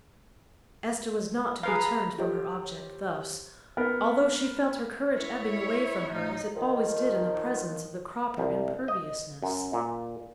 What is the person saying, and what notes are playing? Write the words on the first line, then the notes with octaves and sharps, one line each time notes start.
Esther was not to be turned from her object thus, although she felt her courage ebbing away from her as it always did in the presence of the Cropper imperviousness.
G#4 B4 F5 A#5 B5
F4 G4 A4 C5 C#5
B3 A#4
E4 C#5
A2 D#4
D#3 F3
C2
D#5
F#2
A#2